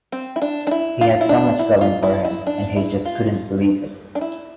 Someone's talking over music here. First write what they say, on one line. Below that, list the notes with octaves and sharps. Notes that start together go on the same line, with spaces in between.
He had so much going for him, and he just couldn't believe it.
C4
E4
D4
D4
E4
F4
E4
D4
E4
F4
E4
E4
D4
E4
F4
D4
E4